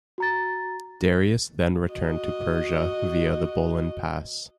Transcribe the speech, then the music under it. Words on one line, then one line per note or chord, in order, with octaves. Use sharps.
Darius then returned to Persia via the Bolan Pass.
F#4 A#5 A6
F#4 D#5